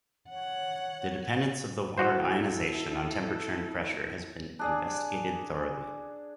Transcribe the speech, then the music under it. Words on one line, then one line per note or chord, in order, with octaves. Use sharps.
The dependence of the water ionization on temperature and pressure has been investigated thoroughly.
C#5 F#5
E4 F#4 A4 C5
D4 G#4 D5